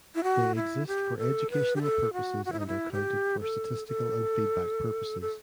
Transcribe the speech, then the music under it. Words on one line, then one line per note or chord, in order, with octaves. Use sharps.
They exist for educational purposes and are counted for statistical and feedback purposes.
E4
F#4
E4
G4
A4
B4
G4
A4
F#4
F#4
E4
D#4
E4
G4
A4
A4
A4